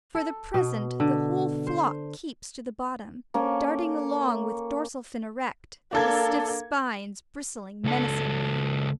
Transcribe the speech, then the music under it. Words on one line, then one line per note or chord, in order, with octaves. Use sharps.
For the present the whole flock keeps to the bottom, darting along with dorsal fin erect, the stiff spines bristling menacingly.
A4
B2
D3
C5
A#3 C#4 A4
A#3 D4 A4 G#6
C#2 A4